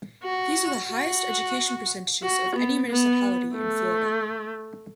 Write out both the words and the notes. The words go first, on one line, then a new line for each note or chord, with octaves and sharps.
These are the highest education percentages of any municipality in Florida.
F#4
F#4
F#4
B3
B3
A3